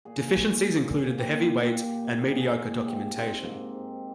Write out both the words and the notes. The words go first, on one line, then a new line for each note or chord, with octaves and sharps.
Deficiencies included the heavy weight and mediocre documentation.
A#2 G#4
A#2
A#2
A#2
A#2 G4
A#2
A#2
A#2
A#2 G#4
A#2
G#2 G4
G#2 C4
G#2 A#3
G#2